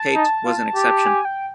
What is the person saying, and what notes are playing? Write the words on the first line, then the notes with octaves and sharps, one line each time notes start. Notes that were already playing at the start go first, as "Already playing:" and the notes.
Paete was an exception.
Already playing: A5
D#4
F4
G4
G#5
G5